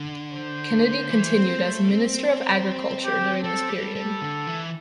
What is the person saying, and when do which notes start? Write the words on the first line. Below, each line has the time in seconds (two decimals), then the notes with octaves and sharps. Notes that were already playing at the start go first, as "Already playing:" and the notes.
Kennedy continued as Minister of Agriculture during this period.
Already playing: D3
0.32 C5
1.10 E3
1.36 C4
1.63 A3
1.88 C4
3.05 G4
3.43 C4 A4
3.69 G3
3.82 A4
3.95 G3
4.22 D3
4.47 E3